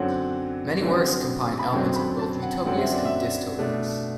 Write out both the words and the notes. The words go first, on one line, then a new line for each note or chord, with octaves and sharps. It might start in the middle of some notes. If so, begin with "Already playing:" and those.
Many works combine elements of both utopias and dystopias.
Already playing: F#2 D3 F#3 C4 F#5
F#2 D3 F#3 C4
B5
A5
F#2 D3 F#3 C4 G5
B5
A5
F#5
F#2 D3 F#3 C4 F#5
E5
D5
E5
B2 A3 D4